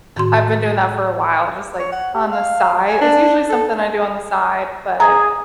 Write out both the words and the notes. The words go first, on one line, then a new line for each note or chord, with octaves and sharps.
I've been doing that for a while just like on the side. It's usually something I do on the side, but
A2 D#3 F#4 C6
C#5
F#5
G4
F5
G#5
D4
A4
G#4 A#5